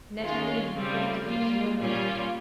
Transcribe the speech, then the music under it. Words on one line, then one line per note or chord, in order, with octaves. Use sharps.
Netaim, the golden, is no more.
D#3 G#3 C#4 F4
C#3 G3 C4 F4
G3 A#3 F4
A#2 G3 C#4 F4